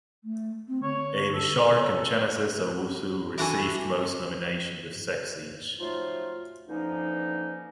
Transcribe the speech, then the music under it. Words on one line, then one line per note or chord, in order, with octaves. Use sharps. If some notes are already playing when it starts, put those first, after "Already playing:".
Amy Shark and Genesis Owusu received most nominations with six each.
A3
C4
D3 C#5
A4
C#5
E3 D4 F#4 A4 G#5
F3 F#3 A3 D#4 F4
D3 E3 F3 A#3 C#4 D#4